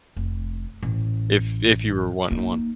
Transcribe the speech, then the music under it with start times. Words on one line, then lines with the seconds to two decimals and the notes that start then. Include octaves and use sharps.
if if you were wanting one.
0.16 F1
0.83 A1
2.30 A#3 D#4